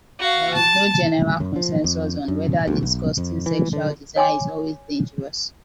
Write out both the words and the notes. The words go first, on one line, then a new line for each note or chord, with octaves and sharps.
There was no general consensus on whether disgusting sexual desire is always dangerous.
F#4 F5
A5
F#2
F3
F2
F#2
D2
B1
F2
E3
D3
C#5 G#5 C6 D6